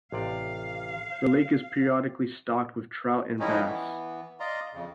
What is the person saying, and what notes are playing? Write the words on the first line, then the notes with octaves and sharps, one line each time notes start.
The lake is periodically stocked with trout and bass.
A1 C3 D5 F5
C5
F3 G3 A3 C#4 D#4 E4
E3 B3
D5 D#5 F5 A#5 C6
F2 C#3